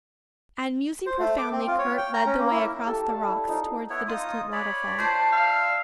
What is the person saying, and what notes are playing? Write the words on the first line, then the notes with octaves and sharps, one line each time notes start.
And musing profoundly, Kurt led the way across the rocks towards the distant waterfall.
C5
A3
D6
C4
F4
C#5
G5
A#5
C#4
A#3
E4
G4 A4
D5 F5 F#5 A5
E4
F3 D#4 A#4 F5
B3 E4 C#5
D#4 F4 D#6
C#5 D5 B5
D4 F4 C5
E5 F5 E6